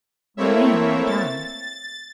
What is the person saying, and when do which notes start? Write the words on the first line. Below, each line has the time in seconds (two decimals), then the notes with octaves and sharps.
Romayne went on.
0.37 A3 A#3 C4 E4 C#5 E5
1.06 A6